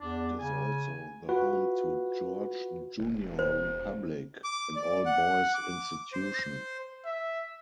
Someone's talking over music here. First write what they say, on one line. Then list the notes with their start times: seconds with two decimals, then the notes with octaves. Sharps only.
It is also the home to George Junior Republic, an all-boys institution.
0.01 E2 D4
0.39 C#3 G#5
1.29 F4 F#4 B4
3.00 E1
3.39 C5
4.44 D6
4.76 D5
5.06 F#5
5.54 D6
6.13 C5
7.05 E5